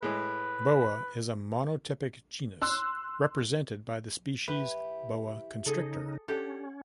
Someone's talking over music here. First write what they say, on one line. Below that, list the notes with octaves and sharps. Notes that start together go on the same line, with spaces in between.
"Boa" is a monotypic genus, represented by the species "Boa constrictor".
A2 G#3 B4
C6 E6 F#6
E4 G4 B4
C#3 D#4 G#4 A4
C#4 D4 G4 A4 F#5